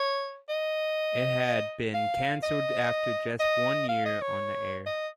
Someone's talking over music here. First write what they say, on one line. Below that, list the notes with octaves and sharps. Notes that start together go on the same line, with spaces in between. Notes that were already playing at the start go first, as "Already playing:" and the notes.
It had been canceled after just one year on the air.
Already playing: C#5
D#5
F5
D#5
D#5
F5
D#5
C#5
D#5